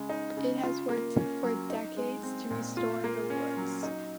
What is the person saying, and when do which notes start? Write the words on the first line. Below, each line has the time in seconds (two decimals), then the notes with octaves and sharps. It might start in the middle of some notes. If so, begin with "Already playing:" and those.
It has worked for decades to restore the woods.
Already playing: C#3 G#3
0.09 D#4
0.37 C#3
0.63 F4
0.89 A#3
1.16 C#4
1.43 F#3
1.70 D#4
1.97 G#3
2.23 C4
2.50 A#2
2.77 F4
3.04 A#3
3.30 C#4
3.57 F#3
3.83 D#4